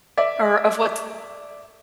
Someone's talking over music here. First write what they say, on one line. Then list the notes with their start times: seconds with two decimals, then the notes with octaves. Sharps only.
or of what's
0.17 D5 E5